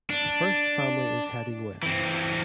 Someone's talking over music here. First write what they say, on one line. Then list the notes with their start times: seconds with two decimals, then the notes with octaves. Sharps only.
The First Family is heading west.
0.10 D4
1.83 E3 C4